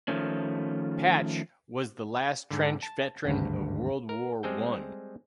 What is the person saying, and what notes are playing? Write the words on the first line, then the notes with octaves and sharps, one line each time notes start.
Patch was the last trench veteran of World War One.
D#3 F3 A3 C#4
G#2 D3
A5
G#1 D2 G2
A#4
G3 G#3 C4 G#4 A4 G5